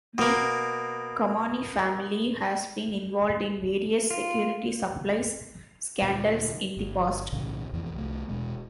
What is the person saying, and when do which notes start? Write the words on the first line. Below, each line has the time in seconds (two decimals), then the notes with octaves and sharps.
The Kamani family has been involved in various security supplies scandals in the past.
0.18 B2 A#3
4.11 F4
6.02 D2 A#2
6.77 G1
7.32 B1 A2 C#3 E3
7.73 E1 F2 E3
7.95 C2 A3
8.29 E1 B2 G#3